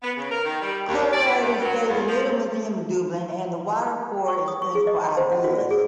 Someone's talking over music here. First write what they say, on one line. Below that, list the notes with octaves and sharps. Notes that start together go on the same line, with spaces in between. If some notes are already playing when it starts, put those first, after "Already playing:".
Curators studied the Little Museum of Dublin and the Waterford Experience for ideas.
B3
C#3
A#4
D#3
G3
D#2
D5
E4
G2
F#3
E2
F3
C#6
D#6
C#6
G#4
D#5
G5
C5
F#5
F#4
D5
G#4